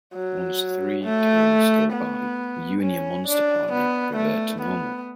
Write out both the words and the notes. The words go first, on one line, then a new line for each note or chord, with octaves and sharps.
Once three turns go by, you and your monster partner revert to normal.
F#3
A3
B3
C#4
D4
B3
A3
B3